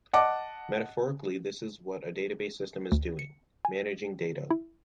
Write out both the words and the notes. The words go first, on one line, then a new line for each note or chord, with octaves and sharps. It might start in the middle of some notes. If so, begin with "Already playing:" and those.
Metaphorically this is what a database system is doing - managing data.
D#5 F#5 A5 D6
D2
C#7
G#5
E4